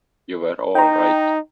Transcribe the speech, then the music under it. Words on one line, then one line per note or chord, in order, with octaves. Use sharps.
You were all right.
D#4 G5 A#5